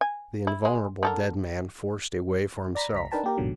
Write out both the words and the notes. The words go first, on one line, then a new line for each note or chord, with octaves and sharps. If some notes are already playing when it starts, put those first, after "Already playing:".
The invulnerable dead man forced a way for himself.
G#5
E4
G#3
D3 A4 A#4
D5 A#5 B5
C#2 A#5 B6
D4 D#4 A#4 B4 G5 A5
A#3 G4 A#4
A1 E2 G#2 B2 D3 F#3